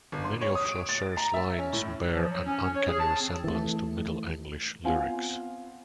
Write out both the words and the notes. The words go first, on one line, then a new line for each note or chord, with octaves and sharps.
Many of Chaucer's lines bear an uncanny resemblance to Middle English Lyrics.
G1
C6
C#5
D#6
D7
A6
A#5
E5
C#4
A2
F3
F#3
C#4
C#4
C#5
G#4
A5
C4
E3 A3
B3 C4 F4 F5 G#5